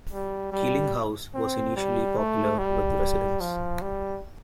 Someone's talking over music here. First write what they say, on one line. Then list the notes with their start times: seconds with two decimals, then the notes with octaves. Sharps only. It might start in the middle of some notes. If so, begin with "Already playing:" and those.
Keeling House was initially popular with residents.
0.11 G3
0.52 G3
1.35 C4
1.76 G3
2.17 A3
2.59 G3
3.41 F3
3.82 G3